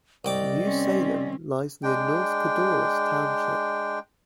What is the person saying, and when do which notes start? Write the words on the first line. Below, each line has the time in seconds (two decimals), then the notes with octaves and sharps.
New Salem lies near North Codorus township.
0.25 C2 G4 D5 D#5 G5 D6
0.62 C4 C#4
1.83 G#3 D4 G5